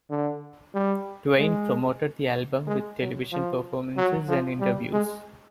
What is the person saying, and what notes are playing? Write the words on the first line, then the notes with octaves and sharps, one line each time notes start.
Twain promoted the album with television performances and interviews.
D3
G3
G#3
G#3
F#3
F3
F#3
F3
G3
G#3